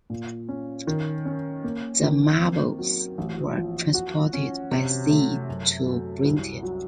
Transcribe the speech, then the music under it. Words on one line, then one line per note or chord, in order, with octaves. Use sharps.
The Marbles were transported by sea to Britain.
A#2
C#4
D#3
C#4
A#3
D#3
C4
F#3
A1
F3
F#4
C#4
C3
A3
F#2
F#3
C2
F#3